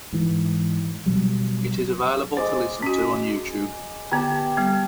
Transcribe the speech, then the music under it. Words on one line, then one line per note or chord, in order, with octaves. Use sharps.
It is available to listen to on YouTube.
G#2 E3
B2 F#3 G3
G#3 C5 D#5 D6
C#4 F#4
D3 B3 G4 A5
G3 B3